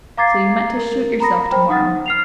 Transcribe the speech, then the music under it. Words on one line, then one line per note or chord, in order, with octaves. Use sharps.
So you meant to shoot yourself to-morrow!
F5 A#5 D6 G#6 A6 C7
A#4
A#5 B5 D#6 A#6
C5 G5 B5
D#4 F#5 D#6 A6
F6 C7 F7